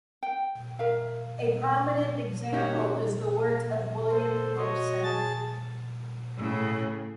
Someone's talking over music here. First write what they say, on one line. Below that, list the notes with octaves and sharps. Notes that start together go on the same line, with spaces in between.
A prominent example is the work of William Gibson.
G5
A#4 E5 F5
C#4 D#4 F#4 G4 A#4 C#5 E5
A4 C5
F#4 C#5 D#5
G#4 A5 A6
A2 C#3